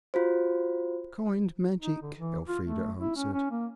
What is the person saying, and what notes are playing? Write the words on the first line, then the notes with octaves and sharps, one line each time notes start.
"Kind magic," Elfrida answered.
F4 F#4 C5
D#4
D3
E3
F4
A3
E4
C#4
C#4
A#3